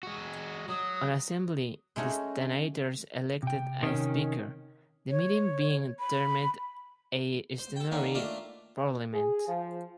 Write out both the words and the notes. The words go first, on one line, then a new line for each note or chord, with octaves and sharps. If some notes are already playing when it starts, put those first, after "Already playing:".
On assembly the stannators elected a speaker, the meeting being termed a Stannary Parliament.
G#3 F#4
F#3 D#6
G#3 A3 C#4 D#4 F#4
C3 G5
C3 D#3 C#4
C#5
B5
C5
A4 G5
D3 D#3 A#3 C#4
A3 A#3 D4 F4 E5
G#4
F3